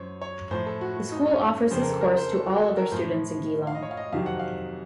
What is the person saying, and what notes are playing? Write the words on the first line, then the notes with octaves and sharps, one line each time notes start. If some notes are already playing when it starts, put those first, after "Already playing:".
The school offers this course to all other students in Geelong.
Already playing: F#2 C5 C#5
C#5
A2 F3 C5
A4
F#4
F#4
D#4
C#4
F2 C#3 F3 C5
A#4
A4
A#4
C5
A4
F#4
A4
A#4
A2 F3 C5
F5
D#5
C#5
F5
D#5
F2 C3 D#3 F#3 F5
F#5
F5